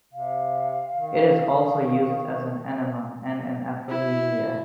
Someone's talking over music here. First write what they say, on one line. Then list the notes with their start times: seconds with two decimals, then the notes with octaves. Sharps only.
It is also used as an enema and an aphrodisiac.
0.13 C3 F5
0.93 D#3
3.89 E4